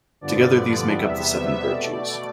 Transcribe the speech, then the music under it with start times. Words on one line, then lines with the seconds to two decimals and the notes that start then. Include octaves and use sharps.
Together these make up the seven virtues.
0.21 G2 D3 F3 B3 D5
0.96 E2 C3 G3 B3 E5
1.70 B2 A3 D5